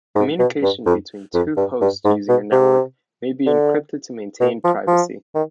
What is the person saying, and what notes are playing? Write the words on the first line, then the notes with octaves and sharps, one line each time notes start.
Communication between two hosts using a network may be encrypted to maintain privacy.
G#2
B2
G2
F2
F2
G2
G2
G#2
B2
C3
D3
B2
F3
F3
D#3